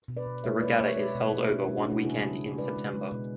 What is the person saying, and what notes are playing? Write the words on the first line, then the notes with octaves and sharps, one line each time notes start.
The regatta is held over one weekend in September.
B2
B4 D5
B2
G#3 C#5 E5
G#3 B4 D5
B2 C#5 E5
G#3 B4 D5
B2
B2
B2 D4 F#4
C#4 E4
G#3
D4 F#4
B2
D4 F#4
C#3 E4 G#4
G#3
C#3
G#3 B4 D5
G#3
G#3
B2